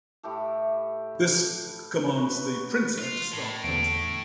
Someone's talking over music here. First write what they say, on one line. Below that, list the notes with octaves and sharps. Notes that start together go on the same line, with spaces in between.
This commands the printer to start printing.
A2 E4 G4 A4
F#3 B3 B4 C#5
F4
A2
E2 D3 D7